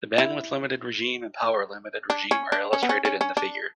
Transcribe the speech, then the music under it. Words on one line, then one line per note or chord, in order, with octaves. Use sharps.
The bandwidth-limited regime and power-limited regime are illustrated in the figure.
E4
D4
C#4
D4
C#4
B3
C#4
C#4
C#4
D4